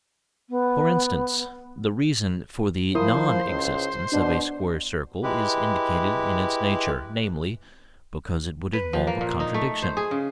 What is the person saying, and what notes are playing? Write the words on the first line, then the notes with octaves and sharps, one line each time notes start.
For instance, the reason for the non--existence of a square circle is indicated in its nature, namely, because it would involve a contradiction.
B3
F3 E4 A#4 C5 D#6
C#2
B2 D4
G#3 E4 G4 B4
B4
F3
A#3
A#2
D#4
A3
C5
G#4
C#3